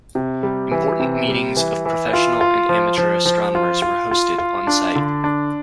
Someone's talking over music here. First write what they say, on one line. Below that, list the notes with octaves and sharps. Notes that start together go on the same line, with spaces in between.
Important meetings of professional and amateur astronomers were hosted on site.
C3
G3
E3
C3
G3
E3
E3
F4
F4
F3
F3
F3
F4
F4
F4
F4
D4
D3
D4